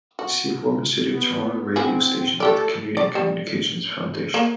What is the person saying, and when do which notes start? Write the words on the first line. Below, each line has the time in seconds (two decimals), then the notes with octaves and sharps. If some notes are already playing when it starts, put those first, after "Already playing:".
Please see former City of Toronto radio stations at the Canadian Communications Foundation.
0.19 F#4
1.13 B3
1.76 C4 E4 F#4 G#4
2.40 A3 G4 A4 D5
2.97 D5
3.15 G3
4.34 A#3